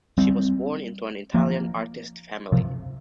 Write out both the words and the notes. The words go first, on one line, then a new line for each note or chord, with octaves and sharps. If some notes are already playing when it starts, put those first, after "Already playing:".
She was born into an Italian artist family.
G3 C4
F3 A#3
C3 F3